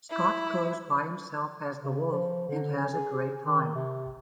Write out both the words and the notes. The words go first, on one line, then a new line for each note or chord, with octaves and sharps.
Scott goes by himself as the Wolf and has a great time.
E4
C#3
F3
D3
C#4
G#4
D#3
C3